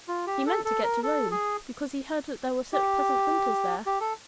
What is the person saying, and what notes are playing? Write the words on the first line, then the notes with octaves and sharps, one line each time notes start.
He meant to get to Rome, because he heard that there were such pleasant winters there.
F4
G4
A4
A4
A#4
A4
G#4
G4
G4
A4